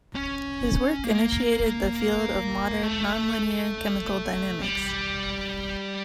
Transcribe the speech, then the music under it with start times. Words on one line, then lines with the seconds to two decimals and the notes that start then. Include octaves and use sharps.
His work initiated the field of modern nonlinear chemical dynamics.
0.15 C#4
1.04 A#3
2.83 A3
4.61 G3